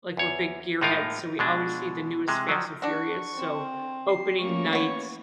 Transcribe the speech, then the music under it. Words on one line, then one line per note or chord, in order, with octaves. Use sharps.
like we're big gear heads, so, we always see the newest Fast& Furious. So, opening night,
E2 C#5
A2 G#3 D#4 F4 A#4 F5
B2 G#3 D4
C3 G#3
F3 F#3
D4 F#4 C#6
C4
C7
A3 A#3 C#4 C#6
B3 C#5